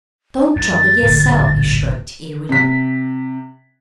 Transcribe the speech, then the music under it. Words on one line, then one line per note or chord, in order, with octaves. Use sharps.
"Don't trouble yerself," he shrugged airily.
F#2 A6
D1 G1 A#2
C3 B6